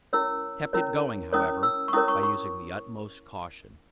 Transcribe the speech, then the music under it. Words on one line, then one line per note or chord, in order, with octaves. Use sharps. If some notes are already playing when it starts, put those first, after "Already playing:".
We kept it going, however, by using the utmost caution.
C#4 E4 A#4 C#5 E6
C#4 E4 A#4 C#5
C#4 E4 A#4 C#5 D#6
E6
C#6
C#4 E4 A#4 C#5 D#6
C#6
C#6